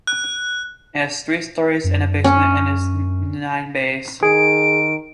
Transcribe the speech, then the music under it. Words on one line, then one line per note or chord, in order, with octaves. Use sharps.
It has three storeys and a basement, and is in nine bays.
F#6
F#2
C#4
D#3 G#4 D7